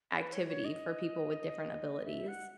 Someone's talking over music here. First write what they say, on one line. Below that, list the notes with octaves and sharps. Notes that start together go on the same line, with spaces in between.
activity for people with different abilities.
B4
C#5
C#5
D#5
E5
F#5